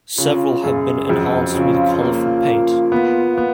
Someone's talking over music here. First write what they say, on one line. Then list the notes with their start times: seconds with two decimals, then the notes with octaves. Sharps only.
Several have been enhanced with colourful paint.
0.18 C#3 F4
0.64 F#2 G#4
1.09 F2 F#4
1.55 C#3 F4
2.00 A#3 F4
2.47 A#3
2.92 B3
3.38 B3